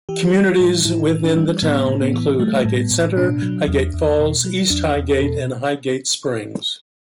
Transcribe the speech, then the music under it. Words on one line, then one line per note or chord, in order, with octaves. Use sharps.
Communities within the town include Highgate Center, Highgate Falls, East Highgate, and Highgate Springs.
E3 G4
G3
A2
A2 E4
E3
D4
G3
A2 B3
A2
B3
E3
G3 A3
A2
B3
A2
B2 D4
F#3
E2
E2
B2
F#3
E2 D4
E2
A4
B2